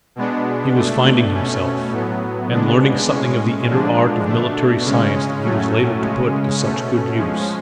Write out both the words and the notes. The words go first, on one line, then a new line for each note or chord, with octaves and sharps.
He was finding himself, and learning something of the inner art of military science that he was later to put to such good use.
B2 G#3 B3 D4
B2 A3 D4
B2 A3 C#4
A2 F#3 B3
C#3 G#3 B3 D4
A2 G#3 C#4
D3 F3 G#3 D4
B2 A3 D4
C#3 G#3 C#4
A2 F#3 A3 C#4
C#3 G#3 C#4
B2 A3 C#4
F3 G#3 C#4